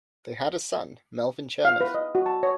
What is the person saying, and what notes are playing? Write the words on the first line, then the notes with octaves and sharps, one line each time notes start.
They had a son, Melvin Chernev.
F5
B4
D#5
F#4
A5
C#5